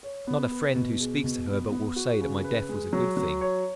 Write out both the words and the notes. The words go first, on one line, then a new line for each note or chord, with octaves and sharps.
Not a friend who speaks to her but will say that my death was a good thing.
C#5
B3
B4
B2
G#4
B2
B3
B3
F#4
C#3
B4
G#3
F#3
F#3
C#5